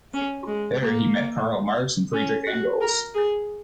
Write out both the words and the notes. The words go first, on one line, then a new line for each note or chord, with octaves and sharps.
There he met Karl Marx and Friedrich Engels.
C#4
G#3
A#3
C#4
F#4
A#4
G#4